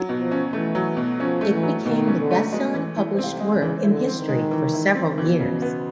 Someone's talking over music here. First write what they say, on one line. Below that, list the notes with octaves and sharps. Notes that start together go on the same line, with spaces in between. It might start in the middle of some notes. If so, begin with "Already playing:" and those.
It became the best selling published work in history for several years.
Already playing: F#3
B2
F3
C#4
E3 A3
F#3
B2
F3 C#4
A3
E3
F#3
B2 D#3
C#4
D3
A3
B2 G#3
E3
E4
C3 C4
G#3
C#3
E3
D3 E4
C4
D#3
G#3
E3
E4
C4
B2 E3
C#3
B3